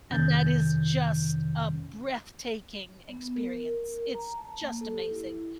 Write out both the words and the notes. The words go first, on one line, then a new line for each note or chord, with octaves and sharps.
And that is just a breathtaking experience, it's just amazing!
F2 C3 D#3 C#4 G6 A6
B3
A#4
A#5
A5
A#3
A4
G4
E4